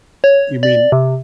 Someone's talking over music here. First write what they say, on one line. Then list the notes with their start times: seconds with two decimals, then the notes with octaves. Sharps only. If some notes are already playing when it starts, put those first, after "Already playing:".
You mean
0.24 C#5
0.63 D5
0.92 C3